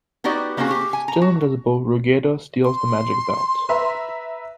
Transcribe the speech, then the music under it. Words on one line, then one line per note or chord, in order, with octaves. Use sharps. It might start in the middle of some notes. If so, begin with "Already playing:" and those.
Still invisible, Ruggedo steals the magic belt.
B3 D#4 F#4 G4 D5
G3 A#3 C4 C#4 F#4 G#4
G4
G#5
A#5
F#4
C6
B4 E5 A#5